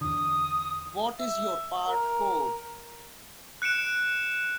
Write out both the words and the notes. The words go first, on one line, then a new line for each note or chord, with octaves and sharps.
What is your part code?
E2 D3 D#6
E5
A#4
F#6 C#7 D7 E7